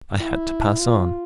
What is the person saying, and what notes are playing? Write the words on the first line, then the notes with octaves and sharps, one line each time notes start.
I had to pass on.
E4
F4